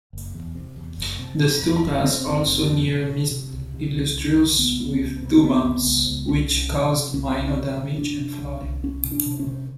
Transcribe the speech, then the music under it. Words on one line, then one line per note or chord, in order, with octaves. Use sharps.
The Stukas also near-missed "Illustrious" with two bombs, which caused minor damage and flooding.
F#1
E2
C3
E2
F#1
C3
C3
E2
F#1
C3 C4
F#1
F#1
E2
C3
C3
C3
C#2
C3
C#2
C#2
C#2
C#2 B3
C#2
C#2
C3
C#2 B3
C#2
C#2
C#2
C2 C#4
C2
C3
C3
C2 C#4
C2
C3
C3
C3 D4
C3
C2
C2
C2 C#4
C3
D4
C3
C#4
C3